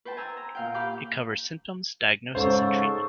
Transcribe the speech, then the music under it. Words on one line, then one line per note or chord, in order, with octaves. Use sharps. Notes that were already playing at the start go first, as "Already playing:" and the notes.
It covers symptoms, diagnosis and treatment.
B4 C5 G5 A5
G#5 A#5 E6
A#5
A#2 F5 G5
G4 F5 B5 D6 G6
G#2 C#3 A4 C5 C#6